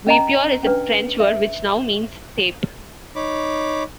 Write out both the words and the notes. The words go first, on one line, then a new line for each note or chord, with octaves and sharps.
Guipure is a French word, which now means tape.
C#4 D#5 A#5
C#4 D4 B4
E5
D#4 C#5 B5 D6